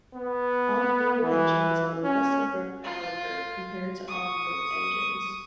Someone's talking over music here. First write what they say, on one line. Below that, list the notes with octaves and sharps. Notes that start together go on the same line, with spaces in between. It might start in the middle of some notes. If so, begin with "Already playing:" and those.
Off-road engines have a less abrupt power curve compared to on-road engines.
B3
E3
C#4
F4
C#6 D#6